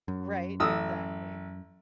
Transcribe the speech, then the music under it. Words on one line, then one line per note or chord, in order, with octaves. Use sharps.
Right. Exactly.
F#2
A1 D#6 E6